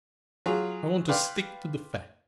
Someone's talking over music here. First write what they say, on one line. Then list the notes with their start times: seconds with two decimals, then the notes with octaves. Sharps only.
I want to stick to the fact.
0.46 F#3 F4 G#4
1.08 B4 D5 F5 G5 C6